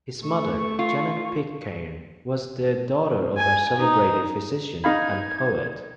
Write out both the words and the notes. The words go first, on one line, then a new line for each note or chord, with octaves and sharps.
His mother, Janet Pitcairn, was the daughter of a celebrated physician and poet.
A3 C#6
F4
G#5
D#4
D#4 F5 B5 G#6